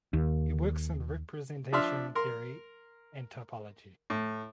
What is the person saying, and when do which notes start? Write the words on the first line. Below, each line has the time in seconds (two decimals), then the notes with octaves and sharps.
He works in representation theory and topology.
0.13 D#2
1.73 F3 D4 E5 C6 F6
2.15 A#4 C6
4.10 A2